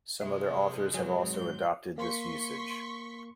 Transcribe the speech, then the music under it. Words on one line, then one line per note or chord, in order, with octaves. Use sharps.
Some other authors have also adopted this usage.
C3 F3 G#3 E5
G#2 F#3 C4 B4 G#5
G6
A#3 C6 C#6 B6